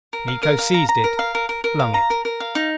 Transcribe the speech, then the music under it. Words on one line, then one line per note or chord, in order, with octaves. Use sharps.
Miko seized it: flung it.
A#4
F5
A#4
F5
A#5
A#5
A#4
F5
A#4
A#4
A#4
F5
A#5
A#4
A#4
F5
D#4